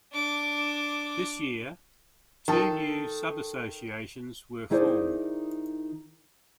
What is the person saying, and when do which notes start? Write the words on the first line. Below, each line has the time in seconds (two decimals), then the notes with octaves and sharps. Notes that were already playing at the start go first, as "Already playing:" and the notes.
This year, two new subassociations were formed.
0.13 D4 D6
2.48 D#3 A4 A5
4.70 D#3 D#4 E4 G#4 C5 D5